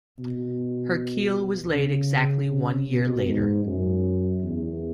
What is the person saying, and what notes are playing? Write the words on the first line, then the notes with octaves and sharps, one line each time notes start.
Her keel was laid exactly one year later.
B2
C#3
B2
G#2
F#2
E2